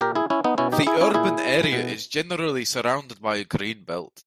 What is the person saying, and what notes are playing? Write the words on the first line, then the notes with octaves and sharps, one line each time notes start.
The urban area is generally surrounded by a green belt.
A#2 G4 A#4
E4 G#4
C#4 E4
B3 D#4
B2 C#4 E4
D#4 G4
E4 G#4
C#4 E4
A#2 E4 G#4
B2